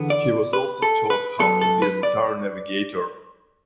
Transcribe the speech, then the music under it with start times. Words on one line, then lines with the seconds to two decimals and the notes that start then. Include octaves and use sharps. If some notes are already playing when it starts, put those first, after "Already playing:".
He was also taught how to be a star navigator.
Already playing: E2 D3 B3
0.10 D5
0.53 B4
0.82 A4
1.10 B4
1.40 F#2 F#3 B3 A4
1.61 A4
1.82 B4
2.03 D5